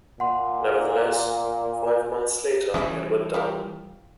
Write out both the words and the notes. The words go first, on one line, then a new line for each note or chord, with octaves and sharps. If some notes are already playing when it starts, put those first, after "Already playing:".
Nevertheless, five months later Edward died.
A#2 F#5 C6
E3 G3 C#4 D#5 E5
F4 G4 A#4